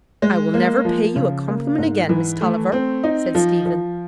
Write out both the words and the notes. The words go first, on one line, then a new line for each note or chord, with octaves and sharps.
"I will never pay you a compliment again, Miss Tulliver," said Stephen.
G#3
A#3
F3
C#3
A#3
G#2
E3
A3
C4
D#4
F3
F3